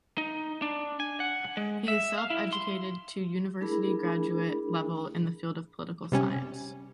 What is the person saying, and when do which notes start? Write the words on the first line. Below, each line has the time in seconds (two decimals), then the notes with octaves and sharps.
He is self-educated to university graduate level in the field of political science.
0.18 D#4
0.62 D4
1.00 G#5
1.20 F#5
1.57 G#3
1.88 E5
2.18 F5
2.30 E4
2.53 C6
3.60 A3 D4 E4 G#4 A#4 B5
6.12 C3 G3 C#4